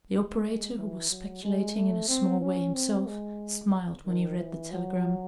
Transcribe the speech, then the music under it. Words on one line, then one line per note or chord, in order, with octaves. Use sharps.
The operator who was speculating in a small way himself smiled when he read the telegram.
G#3
E3
F#3
G#3
A3
C4
C#4
C4
G#3
D#3
E3
F#3